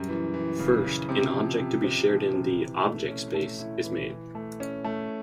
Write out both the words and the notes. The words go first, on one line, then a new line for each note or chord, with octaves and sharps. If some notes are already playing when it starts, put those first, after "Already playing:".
First, an object to be shared in the "Object Space" is made.
Already playing: F#2 G3
E3
E3
C#3
C#3
C3
F3
C3
C3
F3
C3
E3
A3
C#4
A3
E4
E3
E3
A3
C#4
A3